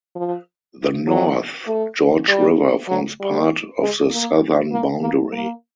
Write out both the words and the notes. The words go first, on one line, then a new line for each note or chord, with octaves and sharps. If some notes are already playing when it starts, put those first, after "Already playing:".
The North George River forms part of the southern boundary.
F3
F#3
A3
G3
F#3
G3
G#3
A#3
A#3
A#3
A#3